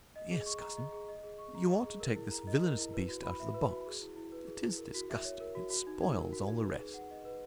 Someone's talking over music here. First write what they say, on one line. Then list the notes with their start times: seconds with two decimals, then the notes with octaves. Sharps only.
"Yes, cousin, you ought to take this villainous beast out of the box--it is disgusting--it spoils all the rest."
0.16 D#5
0.31 G#4
0.46 C#6
0.61 A#5
0.77 D#5
0.92 G#4
1.08 D#5
1.23 G#4
1.38 C#6
1.55 A#5
1.70 D#5
1.86 G#4
2.00 A#4
2.15 E4
2.31 A#5
2.47 D#5
2.62 A#4
2.77 E4
2.94 B4
3.09 F#4
3.23 B5
3.40 E5
3.54 B4
3.70 F#4
3.86 G#4
4.01 E4
4.16 E4
4.32 B4
4.47 G#4
4.63 E4
4.78 A#4
4.94 F#4
5.10 E5
5.24 C#5
5.40 A#4
5.55 F#4
5.70 F#4
5.87 D#4
6.01 D#4
6.17 A#4
6.33 F#4
6.48 D#4
6.64 B4
6.79 G#4
6.94 F#5
7.11 D#5
7.25 B4